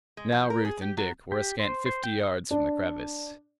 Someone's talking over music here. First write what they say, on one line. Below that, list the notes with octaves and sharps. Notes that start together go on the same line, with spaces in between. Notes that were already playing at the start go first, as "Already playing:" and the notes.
Now Ruth and Dick were a scant fifty yards from the crevice.
G#3
F3
A#4
G#4
G4
F#3
G4
C5
C5
G5
D#6
D4